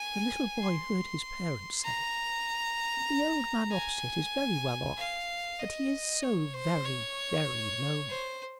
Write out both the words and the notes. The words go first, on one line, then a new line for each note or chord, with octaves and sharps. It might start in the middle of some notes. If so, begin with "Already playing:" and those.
The little boy heard his parents say, "The old man opposite is very well off, but he is so very, very lonely!"
Already playing: G#5
C6
A#5
G#5
F5
D#5
C#5
C5
C#5
C5